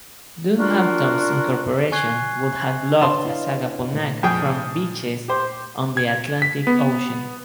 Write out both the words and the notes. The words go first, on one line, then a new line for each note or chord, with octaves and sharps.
Dunehampton's incorporation would have blocked Sagaponack from beaches on the Atlantic Ocean.
D4 F4 F#4 A#4
G#5 C#6 F#6 G#6 C7
D4 B4 C#5 A5 C6
E4 D#5 F5
A#2 A3
F2 G#4 G5
G4 C5
G#6
B6
B3